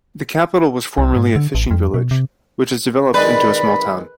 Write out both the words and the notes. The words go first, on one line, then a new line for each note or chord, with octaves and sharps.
The capital was formerly a fishing village which has developed into a small town.
C2
G#2
D3
A1
F2
B2
C3
D#3 G#3 C4 B4 D5 B5